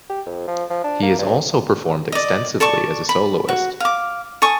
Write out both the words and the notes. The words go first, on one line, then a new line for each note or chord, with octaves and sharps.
He has also performed extensively as a soloist.
G4
F2
F3
F3
D4
A#3
G2
D5 D#5
A4 D5 A5 C#6
B5
F#4
F5 D6
A4 G#5 C#6 D#6